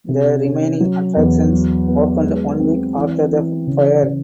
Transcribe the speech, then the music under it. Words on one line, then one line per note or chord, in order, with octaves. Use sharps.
The remaining attractions opened one week after the fire.
C3
C#4
F#3
E2
F#3
B3
G#3
C4
E3
E3
C#3
C#3